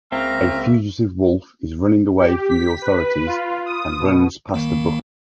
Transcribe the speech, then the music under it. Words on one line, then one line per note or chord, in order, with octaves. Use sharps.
A fugitive wolf is running away from the authorities and runs past the book.
C#2 C#3 A#3 C4 E5 A#5 F6
G4
B6
B4
F4
D#6
B2
C2 D#3 A#3